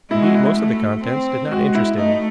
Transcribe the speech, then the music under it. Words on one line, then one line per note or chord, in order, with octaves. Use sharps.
Indeed, most of the contents did not interest him.
G#3 E4
F#4
E4
E4
A3
C4
G#3 F#4
E4
A3 D#4